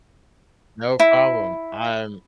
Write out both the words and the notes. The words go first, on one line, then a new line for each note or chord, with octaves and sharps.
No problem, I'm
E4